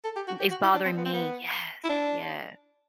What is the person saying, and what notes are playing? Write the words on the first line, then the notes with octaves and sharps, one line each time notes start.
M "It's bothering me." Yes, yeah.
A4
G4
F#4
G4
F#4
E4
D4
C4
B3
C4
B3
E4
D4